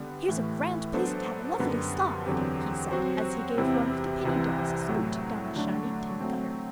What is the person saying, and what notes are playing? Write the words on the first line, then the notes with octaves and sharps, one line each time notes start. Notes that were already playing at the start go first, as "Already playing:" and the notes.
"Here's a grand place to have a lovely slide!" he said as he gave one of the penny dolls a scoot down the shiny tin gutter.
Already playing: D3 G3 B3
A2 E3 A3
F#3 B3 D4 A4 C5
F#2 D3 G3 B3
E2 D3 F#3 C4 G4
F#3 C4 F#4 C5
E2 C3 G3 C4 E4
C2 C3 E3
A2 F#3 A3
D3 F#3 A3 D4
F#3 A3 C4